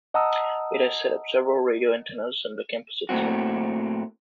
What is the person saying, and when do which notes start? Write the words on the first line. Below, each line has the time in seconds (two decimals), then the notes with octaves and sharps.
It has set up several radio antennas in the campus itself.
0.14 D#5 F#5 A5 A#5 D#6 E6
3.09 A2 A3 A#3 C4 F#4